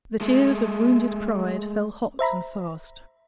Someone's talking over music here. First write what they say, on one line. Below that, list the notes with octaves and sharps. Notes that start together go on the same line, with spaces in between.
The tears of wounded pride fell hot and fast.
G#3 A3
C5 E5 A#5 B5